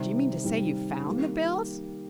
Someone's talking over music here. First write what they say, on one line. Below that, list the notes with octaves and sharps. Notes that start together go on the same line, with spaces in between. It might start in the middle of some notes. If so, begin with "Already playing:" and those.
"Do you mean to say you found the bills?"
Already playing: C3 D#3 G3
C3 D#3 G3
D#3 G3 A#3